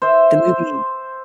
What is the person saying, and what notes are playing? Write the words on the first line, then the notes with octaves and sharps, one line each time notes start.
the movie.
C5 E5